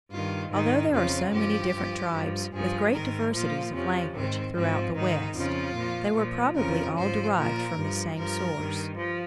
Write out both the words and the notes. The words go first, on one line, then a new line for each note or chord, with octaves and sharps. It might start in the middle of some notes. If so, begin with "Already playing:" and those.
Although there are so many different tribes, with great diversities of language, throughout the West, they were probably all derived from the same source.
G2 D#3 F4
G#2 D#3 D#4
F2 C#3 F3 F4
G2 F3 G4
G2 F3
G2 F3
G2 F3 G#4
G#2 D#3 A#4
A#2 F3 F4
F2 C3 F3 C#4
G#2 D#3 C4
G#2 F3 C4
G#2 D#3 D#4
F2 C#3 F3 F4
A#2 F3
A#2 F3
F2 C#3 F3 A#4
G#2 F3 C5
A#2 F3 A#4
G2 F3
G2 F3 A#4
G2 D#3
F3